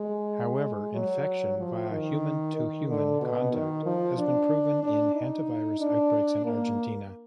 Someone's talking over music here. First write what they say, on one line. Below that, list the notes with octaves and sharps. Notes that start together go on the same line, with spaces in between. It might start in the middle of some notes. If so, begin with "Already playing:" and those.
However, infection via human-to-human contact has been proven in hantavirus outbreaks in Argentina.
Already playing: G#3
F#3
F3
D#3
D#3
D3
B2
D#3
F3
D4
D4
D#4
D4
A#3